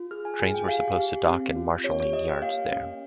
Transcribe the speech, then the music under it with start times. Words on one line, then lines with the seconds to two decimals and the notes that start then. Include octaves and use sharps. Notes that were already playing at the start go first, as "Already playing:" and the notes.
Trains were supposed to dock in marshaling yards there.
Already playing: F4
0.11 G#4 F6
0.25 G#5
0.39 G#4 G#5
0.54 G5
0.68 G4 F5
0.97 G4
1.27 C4
1.56 F4
1.84 G4 C#5
2.00 C#5
2.13 G4 D#5
2.33 G5
2.42 A#3 F5
2.71 C#4